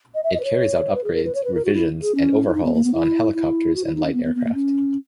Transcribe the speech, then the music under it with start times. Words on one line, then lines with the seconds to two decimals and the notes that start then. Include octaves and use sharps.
It carries out upgrades, revisions, and overhauls on helicopters and light aircraft.
0.14 D#5
0.23 E5
0.33 D#5
0.40 B4
0.44 C#5
0.94 B4
1.04 G#4
1.14 A#4
1.25 B4
1.34 C#5
1.44 B4
1.54 A#4
1.65 F#4
1.74 E4
2.01 G#4
2.15 C#4
2.47 E4
2.54 D#4
2.64 B3
2.74 A#3
2.84 B3
2.94 E4
3.34 E4
3.75 F#4
3.85 E4
3.95 D#4
4.05 C#4
4.14 B3
4.24 B3
4.35 B3
4.44 A#3
4.54 C#4